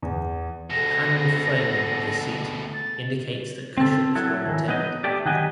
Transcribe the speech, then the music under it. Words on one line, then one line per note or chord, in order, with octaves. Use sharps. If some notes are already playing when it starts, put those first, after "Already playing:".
The panelled framing of the seat indicates that cushions were intended.
E2
D2 B2 G#4 A4 A#6
A6
C4 A4
F#3 E4 A4
D#3 E3
F#3 B3 D#4 D#5
A3 G4 D5
D#3 F#3 F#4 G4 D#5 G#5